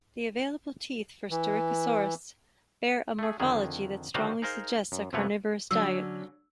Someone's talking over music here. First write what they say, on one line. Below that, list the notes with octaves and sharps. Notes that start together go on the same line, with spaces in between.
The available teeth for "Staurikosaurus" bear a morphology that strongly suggests a carnivorous diet.
E3
A3 G#4
F2 D3 D#3 G#4
D3 D#3 G3 F4 F#4 C5
D#4 G#4 A#4 C5 F5
F#2
F#2 C3 F3 A3 B4 C#5
D3 F#3 C#4 E6